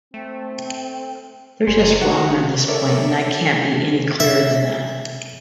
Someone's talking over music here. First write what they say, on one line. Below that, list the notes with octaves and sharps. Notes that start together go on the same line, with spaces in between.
They're just wrong on this point and I can't be any clearer than that.
A3 C4
F#1 C3 G3 G#5 C6
D#3 G#3 F#4 F#5 A#5
A4 A#4 C#5 D5 E5 D6
E5